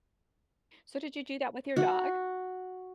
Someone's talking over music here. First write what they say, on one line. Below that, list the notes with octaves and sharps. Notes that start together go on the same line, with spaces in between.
So, did you do that with your dog?
F#4